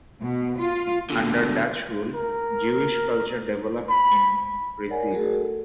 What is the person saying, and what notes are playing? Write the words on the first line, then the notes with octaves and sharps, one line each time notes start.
Under Dutch rule, Jewish culture developed in Recife.
B2
F4
B2 D3
A#4
B5
A#4 C#5 D5 F#5 G#5
A3 F#4 G#4 A#4
A4